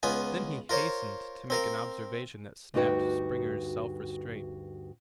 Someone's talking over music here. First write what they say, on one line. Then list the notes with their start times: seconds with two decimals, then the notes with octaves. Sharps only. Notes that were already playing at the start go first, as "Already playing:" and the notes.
Then he hastened to make an observation that snapped Springer's self-restraint.
0.03 C#2 B3 F4 G#5
0.69 F4 A#4 C5 C#5
1.50 C4 A#4 F5
2.74 D2 G2 D#4 F#4 B4 G5